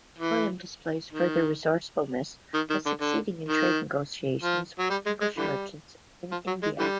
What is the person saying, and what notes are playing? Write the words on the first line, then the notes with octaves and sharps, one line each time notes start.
William displays further resourcefulness by succeeding in trade negotiations with English merchants in India.
E3
D#3
D#3
D#3
D3
D3
D#3
F3
F#3
G3
G#3
G#3
D3 E3 G3
F3
F#3
G#3
D3 E3 G3